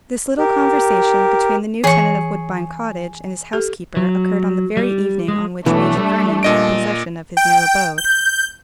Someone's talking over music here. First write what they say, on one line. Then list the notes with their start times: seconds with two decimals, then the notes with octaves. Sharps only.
This little conversation between the new tenant of Woodbine Cottage and his housekeeper occurred on the very evening on which Major Vernon took possession of his new abode.
0.39 G4 A#4
1.84 E3 G#4 C#5 C#6
3.53 G4 A4
3.97 F#3
4.77 G3
5.28 G#3
5.66 B1 E3 A3 B3 D4 A4
5.97 G3
6.43 A#2 D#5 D7
7.37 G5
7.98 G6